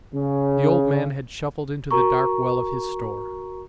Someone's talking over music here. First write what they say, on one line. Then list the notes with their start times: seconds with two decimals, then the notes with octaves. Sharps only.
The old man had shuffled into the dark well of his store.
0.14 C#3
1.91 F#4 A#4 A#5 C#6